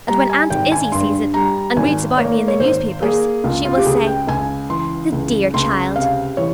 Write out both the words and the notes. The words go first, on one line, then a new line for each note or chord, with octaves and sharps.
And when Aunt Izzie sees it, and reads about me in the newspapers she will say, 'The dear child!
G3 A#5
G#5
G#1 G5
G#5
G2 C6
G3 A#5
G#1 G#5
A#3 C#5
C#5
G#1 C5
A#3 G#4
C#2 F4
F4
G4
C#2 G#4
G5
C#2 G#5
E3 C6
C#2
C#2 C6
C3 F5
E3 C#5